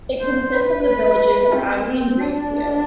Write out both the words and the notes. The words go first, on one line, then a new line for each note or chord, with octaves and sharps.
It consists of the villages of Aby and Greenfield.
C5
B4
C4
C4
D4